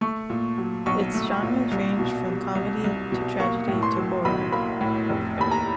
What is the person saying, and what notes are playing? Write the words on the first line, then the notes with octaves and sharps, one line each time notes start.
Its genres range from comedy to tragedy to horror.
A3 C#6
A#2
F#3
B1 C#6
A3
A#2
C2
B2
G3
C2
C2
B2
A#3 C#6
A2
C6
F#3
B1 B5
A#3 B5
A2
F1
D#2 B5
A#5